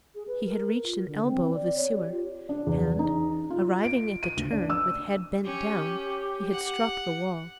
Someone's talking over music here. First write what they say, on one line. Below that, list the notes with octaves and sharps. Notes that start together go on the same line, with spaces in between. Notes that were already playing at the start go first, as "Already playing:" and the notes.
He had reached an elbow of the sewer, and, arriving at the turn with head bent down, he had struck the wall.
G#4
B4
A#4
F4
D3
C4
D5
C#5
G4
F4
D4
E2
D#4
F4
D7
D#7
D2
D4
E6
C#4 G4
F#5